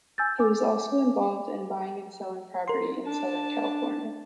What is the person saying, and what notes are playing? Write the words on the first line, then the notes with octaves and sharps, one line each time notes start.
He also was involved in buying and selling property in Southern California.
G#5 E6 G6 A6
G#5 D6
A#4 C6
D4 A5